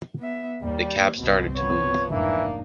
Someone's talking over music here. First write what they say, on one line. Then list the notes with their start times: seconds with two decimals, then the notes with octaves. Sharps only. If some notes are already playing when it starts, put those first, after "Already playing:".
The cab started to move.
0.19 B3 E5
0.62 D#2 G3 A#3
1.17 G1 C2 B2 C4
1.56 F3 B3 C#5
2.10 F1 G#2 E3 A#3 D4 D#4